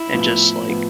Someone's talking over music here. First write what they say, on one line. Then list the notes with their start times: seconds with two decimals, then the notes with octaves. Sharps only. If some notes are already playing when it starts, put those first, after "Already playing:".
and just, like,
Already playing: E4
0.13 A2 F3 B3 F4
0.68 A2 F3 B3 F4